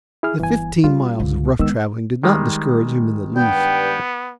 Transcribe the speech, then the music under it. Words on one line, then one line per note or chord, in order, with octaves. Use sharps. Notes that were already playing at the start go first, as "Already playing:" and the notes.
The fifteen miles of rough traveling did not discourage him in the least.
E4 G#4 F6
G1 E3 G#5
G3 C#4 F4
C#2 D3
D#3 G#3 B3 E6
D#3 G3 G#3
G2 B3 G5